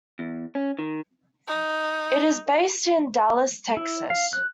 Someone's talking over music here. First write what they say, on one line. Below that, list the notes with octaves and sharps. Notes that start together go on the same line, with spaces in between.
It is based in Dallas, Texas.
E2
C#4
D#3
D#4
E4
F5
F#6